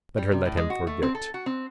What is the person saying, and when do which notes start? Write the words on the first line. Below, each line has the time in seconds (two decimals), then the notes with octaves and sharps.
Better let him forget.
0.17 G3
0.32 C3
0.45 A2
0.57 G#3
0.70 F#4
0.87 A3
1.02 C4
1.15 A4
1.34 F#4
1.46 C4